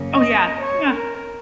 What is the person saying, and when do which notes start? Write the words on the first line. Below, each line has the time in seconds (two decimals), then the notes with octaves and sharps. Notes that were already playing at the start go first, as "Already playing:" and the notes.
Oh yeah, yeah.
Already playing: F#2 C#3 A#3 C#4
0.14 D#5
0.61 C#5
0.91 A#4